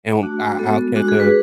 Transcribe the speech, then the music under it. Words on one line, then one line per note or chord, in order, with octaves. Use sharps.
and I I'll catch her
A3 D4 F#4
G#3 B3 F#4 A4
G#3 D4 F#4
G#4
B4